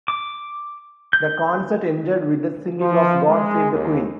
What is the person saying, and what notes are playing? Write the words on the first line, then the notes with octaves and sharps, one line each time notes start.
The concert ended with the singing of "God Save the Queen".
D6
G6
F3
G#3
D#2